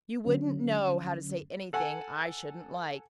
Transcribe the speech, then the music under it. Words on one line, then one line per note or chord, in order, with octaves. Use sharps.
"You wouldn't know how to say anything I shouldn't like."
D3 F#3 C#4
A4 F#5 G#5